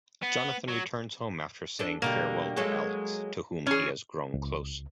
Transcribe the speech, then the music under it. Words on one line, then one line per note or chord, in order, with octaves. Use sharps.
Jonathan returns home after saying farewell to Alex, to whom he has grown close.
B3
F#3
D4 A4
B2 D3 G3 A#3
F#3 G#3 A4
E3 C#4 G#4
C#2